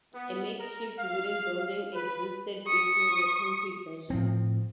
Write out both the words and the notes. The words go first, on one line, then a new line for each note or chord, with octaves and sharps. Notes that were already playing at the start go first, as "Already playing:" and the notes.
A makeshift wooden building existed before the concrete version.
B3
A#4
F5
B4
C#6 D#6
A2 F3 C4